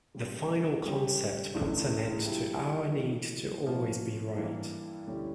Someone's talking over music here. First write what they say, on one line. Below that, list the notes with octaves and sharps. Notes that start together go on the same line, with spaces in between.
The final concept puts an end to our need to always be right.
C#3 G3 A#3
D3 G3 C#4 G4
C#2 C#3 E3 A3 D4
G2 F3 A#3 E4 G4
A2 E3 A#3
A2 F3 A#3 C#4
G2 E3 A#3 E4
D2 D3 G3 C#4 E4